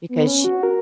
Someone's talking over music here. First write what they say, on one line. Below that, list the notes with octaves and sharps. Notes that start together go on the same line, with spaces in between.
because sh
B3
C#4
F#4
A#4